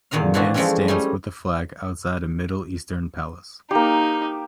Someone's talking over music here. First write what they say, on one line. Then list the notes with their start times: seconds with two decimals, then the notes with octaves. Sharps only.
A man stands with a flag outside a middle eastern palace.
0.11 E2 A#2 D#3 D#5 F5
0.34 E3 C4 D4 D#4 F4 F#4
0.54 E3 F3 G#3 A3 C4 C#4
0.88 G3 A3 C#4 D#4 G#5 C6
3.71 A#3 D#4 G4